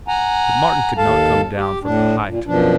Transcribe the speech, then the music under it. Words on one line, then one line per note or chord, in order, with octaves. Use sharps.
But Martin could not come down from the height.
F#5 G#5 A#5
D#2 A4 F5 A5
G4
A2 D4
A#2
F#2 B2 F3 D4